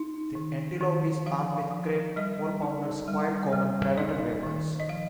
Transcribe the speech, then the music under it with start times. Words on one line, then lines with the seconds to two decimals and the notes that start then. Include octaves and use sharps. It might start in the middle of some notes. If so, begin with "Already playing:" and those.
The "Antelope" is armed with cracked "four-pounders", quite common privateer weapons.
Already playing: D#4
0.35 D#3
0.81 D#3
1.26 F3 F5
1.71 F3
2.16 G3 D#5
2.62 D#4
3.08 G3
3.53 G3
3.98 D#4 D#5
4.43 D#3
4.80 D#5
4.88 F3 F5